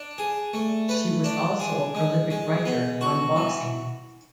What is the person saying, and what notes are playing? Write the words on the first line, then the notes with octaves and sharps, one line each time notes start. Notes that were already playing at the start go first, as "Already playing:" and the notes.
She was also a prolific writer on boxing.
Already playing: D4
G#4
A3
B4
D4
G#4
G#3
G#3
B3
F#4
E3